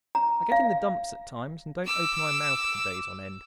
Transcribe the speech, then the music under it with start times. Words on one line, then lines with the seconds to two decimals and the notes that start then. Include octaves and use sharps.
I get in the dumps at times, and don't open my mouth for days on end.
0.15 A#5
0.52 F5
1.85 D6 E6